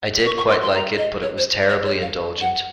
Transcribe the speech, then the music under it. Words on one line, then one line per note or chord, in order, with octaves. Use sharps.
I did quite like it but it was terribly indulgent.
C#6
C#6
C6
C6
A#5
D#5
C#5
C5
C#5
C#5
F5
F#5